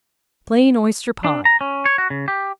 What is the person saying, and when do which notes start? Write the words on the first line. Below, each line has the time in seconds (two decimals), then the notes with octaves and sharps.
Plain Oyster Pie.
1.25 D4
1.45 A#5
1.61 C#4
1.86 C#5
1.98 F#4
2.10 C#3
2.28 G4